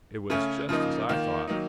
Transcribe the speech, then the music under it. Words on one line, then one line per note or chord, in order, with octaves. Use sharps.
It was just as I thought.
C#3 A3 C#4
C#3 F3 A#3 D#4
D#3 A#3 F4
D#3 F#3 A#3 D#4